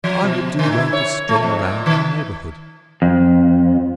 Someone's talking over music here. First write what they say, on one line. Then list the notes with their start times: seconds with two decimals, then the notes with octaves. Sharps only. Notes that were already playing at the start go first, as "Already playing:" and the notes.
I would do well to stroll around in the neighborhood.
0.04 F3
0.24 B2
0.59 D3
0.72 E4
0.93 C#5
1.29 A3
1.42 F2
1.59 A#2
1.86 D#3
3.02 F2